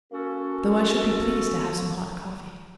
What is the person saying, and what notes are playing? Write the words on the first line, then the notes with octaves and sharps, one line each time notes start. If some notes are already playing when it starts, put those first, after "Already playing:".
"Though I should be pleased to have some hot coffee."
A#3 C#4 F#4 A4